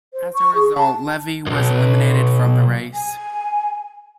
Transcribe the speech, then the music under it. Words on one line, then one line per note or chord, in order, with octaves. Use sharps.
As a result, Levy was eliminated from the race.
C5
C#6
G#4
A5
B1 F#2
G#5